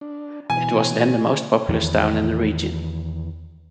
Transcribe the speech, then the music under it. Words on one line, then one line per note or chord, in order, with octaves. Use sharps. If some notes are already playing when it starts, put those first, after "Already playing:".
It was then the most populous town in the region.
D4
B2 E3 G#5
E2 D#3 E3